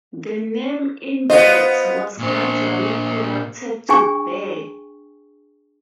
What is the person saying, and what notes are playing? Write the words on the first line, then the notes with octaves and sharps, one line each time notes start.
The name "Imbert" was gradually corrupted to "Bear".
B3 F4 C5 D#5
A#2 C5
D4 G#4 G5 G#5 C#6